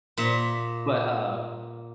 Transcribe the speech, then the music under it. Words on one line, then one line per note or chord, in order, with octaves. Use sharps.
But, uh,
A#2 E5